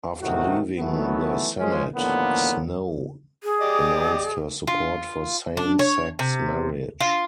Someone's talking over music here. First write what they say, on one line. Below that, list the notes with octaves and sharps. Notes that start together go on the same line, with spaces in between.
After leaving the Senate, Snowe announced her support for same-sex marriage.
A2 C3 D#3 A3 F#4
D#3 E3 F#3 A3 B3
F3 G#3 C#4
D#2 A2 D3 F3 A#3 B3
G#4
G4 D5 D#5
F4
D4
C#5
C3
F4